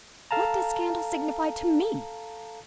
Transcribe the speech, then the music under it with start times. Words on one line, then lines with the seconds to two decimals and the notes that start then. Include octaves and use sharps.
What does scandal signify to me?
0.31 A4 F5 A5 A#5